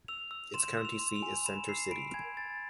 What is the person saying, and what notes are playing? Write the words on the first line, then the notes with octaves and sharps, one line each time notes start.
Its county seat is Center City.
E6 F7
E6
C6 E7
E6
F7
C6
F7
G#5
B5 E7
E6 C7
B5 D7
G#5 G#6
G#5 A6